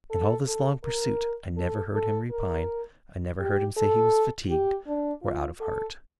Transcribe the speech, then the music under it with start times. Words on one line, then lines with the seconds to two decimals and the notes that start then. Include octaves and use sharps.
In all this long pursuit, I never heard him repine; I never heard him say he was fatigued, or out of heart.
0.11 A4
0.47 A4
0.84 A#4
1.57 A4
1.94 A4
2.31 A#4
3.40 G4
3.77 A4
4.50 G4
4.87 D4
5.23 F4
5.60 A4